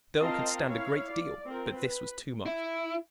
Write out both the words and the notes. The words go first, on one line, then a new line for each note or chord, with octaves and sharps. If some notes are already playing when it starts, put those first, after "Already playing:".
The girl could stand a great deal, but this was too much.
C4 F4 A#4 D#5 F5 A5
E4 C#5 F5
D5
C4 F4 A#4
B4
E4